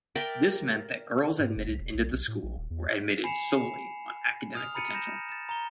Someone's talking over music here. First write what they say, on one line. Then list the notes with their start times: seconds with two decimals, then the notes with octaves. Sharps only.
This meant that girls admitted into the school were admitted solely on academic potential.
0.15 A#4 D5 E5 G5
1.39 G#2
1.56 F#1
1.68 C2
1.80 E1
1.94 B1
2.13 B1
2.28 A2
2.43 A#1
2.58 D#1
2.70 E2
3.24 G#5 B5 C7 C#7 E7 F7
4.55 D#6 F6 F7
4.74 A#5 B5 A6 C#7 D#7
4.94 B5 G6 A#6 E7
5.29 A6 E7
5.49 A#5 G7